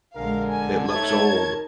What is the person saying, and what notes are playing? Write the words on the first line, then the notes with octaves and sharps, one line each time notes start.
It looks old.
A#1 D3 G#3 A#4 F5
G#5
A3 D#4 C#5 A5 G#6
A#4